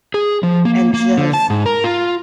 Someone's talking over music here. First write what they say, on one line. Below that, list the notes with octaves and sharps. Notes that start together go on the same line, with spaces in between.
and just
G#4
F3
A#3
A#3
D3
A5
G#2
A#4
F4